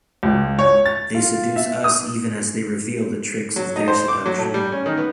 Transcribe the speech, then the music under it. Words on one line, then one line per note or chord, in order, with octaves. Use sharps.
They seduce us even as they reveal the tricks of their seduction.
C#2
C#5
A6
F4
E5
D#6
F#3
D#4
C5
D6
F#3
A2
G3
C#4
D#3
B3